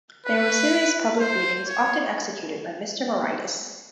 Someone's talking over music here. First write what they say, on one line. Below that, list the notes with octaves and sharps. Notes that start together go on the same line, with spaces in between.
There were serious public beatings often executed by Mr. Moraitis.
B4
C5
C#5